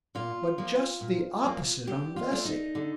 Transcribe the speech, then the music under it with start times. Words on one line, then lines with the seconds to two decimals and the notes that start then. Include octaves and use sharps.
But just the opposite on Vesey.
0.15 A#2 F4
0.58 F3 A#3
1.01 A#2
1.44 F3 A#3
1.87 D3 G4
2.16 F4
2.31 A3 D4
2.45 D#4
2.75 D3